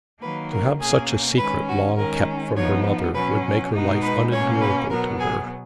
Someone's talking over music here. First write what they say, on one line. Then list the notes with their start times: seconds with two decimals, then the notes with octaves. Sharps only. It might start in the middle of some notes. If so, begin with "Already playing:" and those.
To have such a secret long kept from her mother would make her life unendurable to her.
0.21 D#3 F#3 A#3 B4
0.51 A#4
0.80 B2 A#3 C#4 G#4
1.38 D#3 G#3 C#4 B4
1.68 F#4
1.97 D#3 G#3 C#4 A#4
2.56 F3 B3 D#4 C#5
3.15 B2 F#3 C#4 B4
3.73 B2 G#3 B3 D#4
4.02 B4
4.32 B2 A#3 C#4 C#5
4.61 B4
4.90 B2 F#3 B3 A#4
5.20 G#4